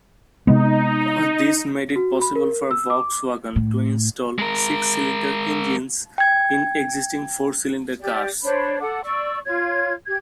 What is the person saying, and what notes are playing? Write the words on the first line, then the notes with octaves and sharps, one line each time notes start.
This made it possible for Volkswagen to install six-cylinder engines in existing four-cylinder cars.
C3 G#3 B3 D#4
F#4
B5
A#4
E6
D6
A2
G#3 A#4
G5 G#6
G4 D5
D4 C5 C#5 B5
A4 F#5 D6
D5 C#6 E6
F4 C#5 G#6
G4 G#6